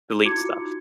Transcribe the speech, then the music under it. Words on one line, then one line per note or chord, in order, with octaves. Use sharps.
delete stuff.
D#4 E4 F#4 D6 G#6 C#7
F4